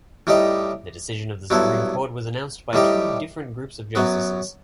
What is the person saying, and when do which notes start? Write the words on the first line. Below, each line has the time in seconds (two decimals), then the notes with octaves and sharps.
The decision of the Supreme Court was announced by two different groups of Justices.
0.27 A2 G3 D#4 G4 D#5
1.50 G2 F#3 B3 E4 A4
2.73 A2 G3 D#4 G4
3.95 F#2 F#3 B3